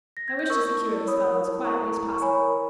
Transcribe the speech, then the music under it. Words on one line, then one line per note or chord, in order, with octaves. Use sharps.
I wish to secure this fellow as quietly as possible.
A#6
G#6
G6
A#4 C#6 E6
E4
E4
C#5 B5 D#6
A#4
E4
A#4 A#5 C#6
E4
E4
C#6
C#5 G#5 B5
A#4